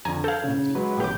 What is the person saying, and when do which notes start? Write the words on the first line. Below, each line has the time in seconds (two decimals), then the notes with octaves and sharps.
I just don't.
0.05 F2 D3 G#5 A#5
0.24 A4 F5 G6 G#6
0.44 C#3
0.75 F#3 G#3 B4
1.00 A1 G4 D6 G6